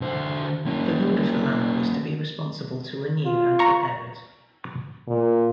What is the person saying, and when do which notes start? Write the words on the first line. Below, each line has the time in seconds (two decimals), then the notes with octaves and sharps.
The Lord of the Manor was to be responsible to renew and repair it.
0.01 D3 C5
0.66 A#3 C#4
3.25 F4
3.59 A#5 C#6
5.07 A#2